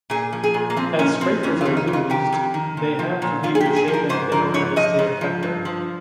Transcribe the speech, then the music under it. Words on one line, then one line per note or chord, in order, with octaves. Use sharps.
As scrapers are used they have to be resharpened in order to stay effective.
A#2 G#4
F3
G#4
A#2
A#3
F3 C4
A#2 C#4
F3 C4
F2 C#4
F4
D#3
D#4
F2
F4
D#3 G4
F2
D#3
A#2
F3
A#2
F3 F4
G#4
G4
A#2
G#4
F3
A#4
G#2 C5
F3 A#4
G#2 C#5
F3 D#5
G#2
F3
G2
F3